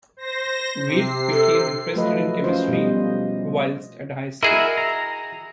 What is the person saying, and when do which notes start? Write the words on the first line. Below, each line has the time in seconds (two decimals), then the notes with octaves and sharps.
Reid became interested in chemistry whilst at high school.
0.17 C5 A#6
0.86 C3 C7
1.31 A4
1.94 F3 F#3 A3 F4 B4 D#5
2.44 C#4 F4 C5
2.68 B2 G3 D#5
4.43 E4 F#4 G#4 A#4 D#5 E5
4.78 A#5